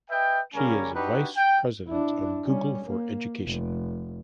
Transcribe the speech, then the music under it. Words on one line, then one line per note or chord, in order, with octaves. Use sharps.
She is vice president of Google for Education.
B4 D#5 E5 G5
C#3 G3 A#3 C#4 A#4 G#5
D4 D#4 F#4 G4 B4
G5
D4 E4
G3 C#4
A#3
F1